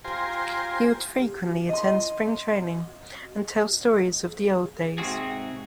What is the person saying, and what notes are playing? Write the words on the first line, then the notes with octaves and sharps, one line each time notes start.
He would frequently attend Spring training and tell stories of the old days.
F4 G4 C5 G#5 A#5 C6
D#5 C6
G#2 C3 C4 F#4 G#4